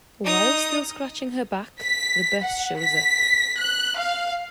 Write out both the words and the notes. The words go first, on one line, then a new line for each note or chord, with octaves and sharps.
While still scratching her back, the bus shows up.
D#4 D#6
B6
F#5
B6
F#6
F5